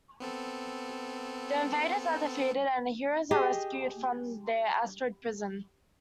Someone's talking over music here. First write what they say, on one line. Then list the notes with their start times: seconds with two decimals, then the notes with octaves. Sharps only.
The invaders are defeated and the heroes are rescued from their asteroid prison.
0.20 B3 C4 A4
3.31 G4 G#4 D#5